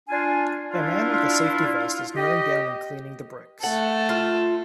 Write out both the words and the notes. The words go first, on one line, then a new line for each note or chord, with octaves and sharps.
A man with a safety vest is kneeling down and cleaning the bricks.
D4 F4 G#5
D4 E4 F4
G4 D#5
A3 A4 F#5
F4